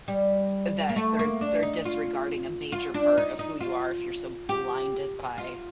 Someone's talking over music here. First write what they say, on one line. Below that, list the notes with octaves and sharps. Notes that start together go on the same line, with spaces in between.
that they're they're disregarding a major part of who you are if you're so blinded by
G3
A#3
A3
A#3
D4
D#4
F4
F4
D4
D#4
D#4
F4
G4
F4